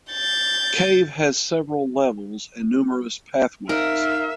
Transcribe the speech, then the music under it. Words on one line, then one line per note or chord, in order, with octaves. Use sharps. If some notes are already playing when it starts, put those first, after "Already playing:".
Cave has several levels and numerous pathways.
G6 A6
D#4 A#4 E5 F5